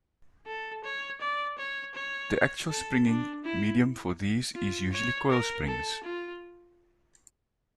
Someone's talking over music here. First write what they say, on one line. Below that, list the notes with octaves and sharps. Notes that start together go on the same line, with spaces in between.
The actual springing medium for these is usually coil springs.
A4
C#5
D5
C#5
C#5
A4
D4
E4
F4
C#5
A#4
A4
F4